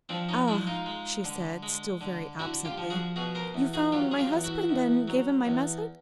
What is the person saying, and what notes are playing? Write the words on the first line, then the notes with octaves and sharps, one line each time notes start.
"Ah!" she said, still very absently, "you found my husband, and gave him my message?"
F3 C4 D4
C#4 D#4
G#3 D4 E4
D#4 F4
G#3
D3
G#3
D3
D3 E4 F#4
F4 G4
F3
F#4 G#4
B2 F#4 G#4
A#4 C5
E2
F#4 G#4
F#3 F4 G4
G#4
F4 G4
E2
E4 F#4
E2
F#3
E2